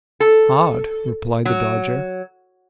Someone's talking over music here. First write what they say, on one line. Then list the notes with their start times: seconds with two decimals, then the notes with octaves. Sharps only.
'Hard,' replied the Dodger.
0.20 A4
1.45 F#3